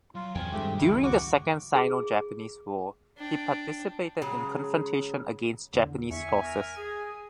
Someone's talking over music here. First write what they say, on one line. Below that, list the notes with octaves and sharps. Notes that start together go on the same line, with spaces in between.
During the Second Sino-Japanese War, he participated in confrontation against Japanese forces.
F#3 F4
E2 D#3 F3 G5 G#5
G2 G#3 A3 C4 G4
C#2 F#2 C#3 E4
F#4 C#6 D6
G#4
D4 G5
C#3 F#3 G#3
E2 D3
E2 E5 G#5 C#6
A#4
G#4 D#6